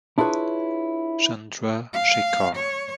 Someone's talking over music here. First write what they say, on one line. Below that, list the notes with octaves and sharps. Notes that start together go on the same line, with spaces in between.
Chandra Shekhar.
D4 E4 F4 G#4 B4 C#5
F5
C#5